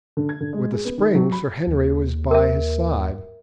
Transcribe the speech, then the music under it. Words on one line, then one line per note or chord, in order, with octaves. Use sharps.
With a spring Sir Henry was by his side.
D3
G#6
D3
G#3
G#4
B3
D#3
F#3
B5
D#2
A#4 E5